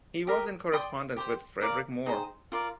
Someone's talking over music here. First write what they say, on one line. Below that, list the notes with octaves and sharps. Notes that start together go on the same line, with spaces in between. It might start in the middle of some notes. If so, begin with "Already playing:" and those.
He was in correspondence with Frederic Moore.
G4 A#4 D#5
D5 G5 C6 D#6
G4 C5 G5
A#4 D5 F5
D#4 G#4 C5 G5
F4 A#4 D5 F5